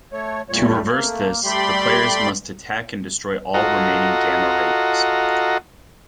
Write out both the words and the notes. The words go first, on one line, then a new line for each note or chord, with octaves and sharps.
To reverse this, the players must attack and destroy all remaining Gamma Raiders.
A3 C#5
E2 A#2 G3 A3 C#5
A3 A#3
G3 A3 G4 D5 B5 C6
F4 F#4 A4 D#5 F#5 A#5